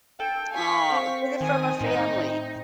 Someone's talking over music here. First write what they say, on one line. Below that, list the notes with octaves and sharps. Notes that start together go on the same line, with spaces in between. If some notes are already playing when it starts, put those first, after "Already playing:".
Aw, get it from a family.
A4 G5
F5 G#5 C#6 B6
C4
D#3 G#5 D#6
A2 D#4